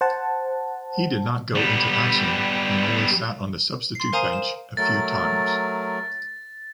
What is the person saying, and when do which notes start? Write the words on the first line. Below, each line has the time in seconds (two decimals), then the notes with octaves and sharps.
He did not go into action and only sat on the substitute bench a few times.
0.01 C5 F#5 A5
1.55 G3 B3
3.95 C6 C7
4.13 A#4 C5 F5 G#5 A#5 D#6
4.33 E7
4.77 F#3 A3 A#4 A6